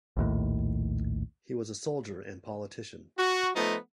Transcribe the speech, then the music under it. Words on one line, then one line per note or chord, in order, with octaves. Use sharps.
He was a soldier and politician.
A#1 D#2 A2
F#4
F3 A3 B3 D#4